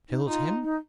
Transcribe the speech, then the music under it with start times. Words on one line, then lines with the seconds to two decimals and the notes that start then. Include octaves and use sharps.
"Killed him?"
0.09 D#4
0.27 D#4 F4
0.63 D#4